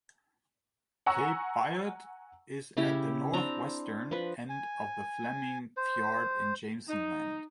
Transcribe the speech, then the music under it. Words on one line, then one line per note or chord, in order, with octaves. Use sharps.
Cape Biot is at the northwestern end of the Fleming Fjord in Jameson Land.
F#5 G#5 A#5 C#6 E6
C#3 C#4 E4 G4
C4 D4 A#5
F3 B4
G#5
C5
D#4